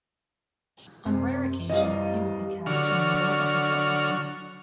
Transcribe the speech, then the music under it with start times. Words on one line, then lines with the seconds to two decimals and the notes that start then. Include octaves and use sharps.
On rare occasions, he would be cast in the role of a villain.
1.06 F#2 C3
1.70 E3 G3 D#5 F5
2.66 D3 F#3 C#6 F6